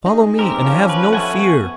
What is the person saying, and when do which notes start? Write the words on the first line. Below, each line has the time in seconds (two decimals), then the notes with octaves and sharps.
"Follow me and have no fear."
0.06 D#4 G#4
0.39 C4 G4 A#4
0.63 F3 C#4
0.89 B4
1.13 A4 E5 F#5 G#5 C#6
1.41 B3